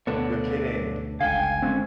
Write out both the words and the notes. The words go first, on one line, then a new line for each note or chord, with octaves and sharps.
You're kidding.
D2 B2 B3 D4 A4 C#5
G1 C#2 D3 F5 G5 G#5
G1 D3 G#3 C4 C#4